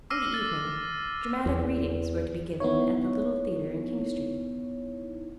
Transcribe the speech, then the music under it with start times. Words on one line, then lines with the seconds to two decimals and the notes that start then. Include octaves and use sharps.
In the evening "Dramatic Readings" were to be given at the little theatre in King Street.
0.10 D6 E6 F6 A#6 C7 D#7
0.34 A6
1.46 E2
2.60 B3 D#4 E4 C#5